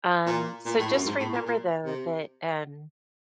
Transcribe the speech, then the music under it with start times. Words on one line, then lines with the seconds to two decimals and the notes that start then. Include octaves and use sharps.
Um, so just remember though that, um,
0.26 A#2
0.65 A#2
0.79 A2
0.92 F#2
1.06 G#2
1.19 A2
1.32 A#2
1.46 A#2
1.85 C3